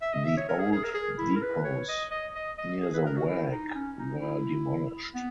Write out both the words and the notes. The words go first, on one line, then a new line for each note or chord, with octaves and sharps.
The old depots near the Waag were demolished.
E5
D#5
E5
C#5
A#4
G#4
G#4
A#4
G#4
E4
A#4
B4
C#5
D#5
D#5
D#5
D#5
G#4
B4
A#4
F#4
E4
D#4
C#4
D#4
E4
B3